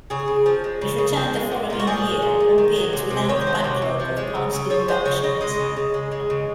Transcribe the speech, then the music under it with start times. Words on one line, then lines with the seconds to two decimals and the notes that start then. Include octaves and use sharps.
It returned the following year, albeit without the backlog of past inductions.
0.10 C#3 G#4
0.28 C#3
0.46 F3
0.64 G#3
0.81 C#3
0.98 C#3
1.16 F3
1.34 G#3
1.52 A#2
1.70 A#2 F4
1.80 F#4
1.87 F3 G#4
2.05 G#3
2.22 A#2
2.40 A#2
2.58 D#3
2.76 F#3
2.93 C3
3.11 C3
3.29 D#3 C#5
3.41 C5
3.47 F#3
3.55 C#5
3.64 C3
3.82 C3
4.00 F3
4.17 G#3
4.35 C#3
4.53 C#3
4.70 F3 C#5
4.88 G#3 C5
5.05 C#3 C#5
5.23 C#3 D#5
5.41 G#3 D#5
5.59 C#3
5.77 C#3
5.94 G#3
6.12 G#3
6.30 C#3